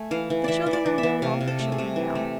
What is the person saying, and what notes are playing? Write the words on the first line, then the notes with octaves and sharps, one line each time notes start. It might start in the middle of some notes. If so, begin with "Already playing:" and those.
The children are no longer children now.
Already playing: A3 G#5
E3 F5
E3
E3 D5 E5
E3
D5
E3
E5
E3
C3 F5
C3
A4
A3
G#4
C3
E3
A3